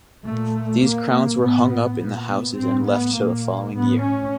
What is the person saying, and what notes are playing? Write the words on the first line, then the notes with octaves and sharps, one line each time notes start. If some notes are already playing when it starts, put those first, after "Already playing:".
These crowns were hung up in the houses and left till the following year.
A#2 A3
A#2 A#3
A2 B3
A#2 B3
A2 C4
B3
A#2 A#3
A2 B3
C#4